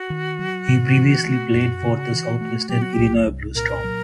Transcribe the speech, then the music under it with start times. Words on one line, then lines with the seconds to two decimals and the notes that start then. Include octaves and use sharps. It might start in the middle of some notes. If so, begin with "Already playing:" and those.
He previously played for the Southwestern Illinois Blue Storm.
Already playing: F#4
0.10 D#3
0.39 F#3
0.68 G#2
0.96 E3
1.25 A3
1.54 F#2
1.83 C#3
2.12 E3
2.41 A3
2.69 F#3 G4
2.82 F#4
2.93 C2 G4
3.26 C2
3.55 A#2 A#4
3.84 F#3